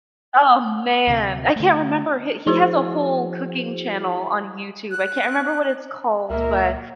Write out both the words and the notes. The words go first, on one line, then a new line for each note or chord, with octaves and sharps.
oh, man. I can't remember, h he has a whole cooking channel on YouTube. I can't remember what it's called, but,
D2 C3
D3 A3
F3 E4 F#4 G#4 C5
F#6
C#2 A#2 A#3 A#4 E5